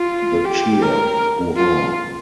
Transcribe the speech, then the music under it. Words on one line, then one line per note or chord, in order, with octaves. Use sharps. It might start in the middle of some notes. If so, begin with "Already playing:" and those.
The cheer, Hurrah!
Already playing: F4
G4
A#4
F4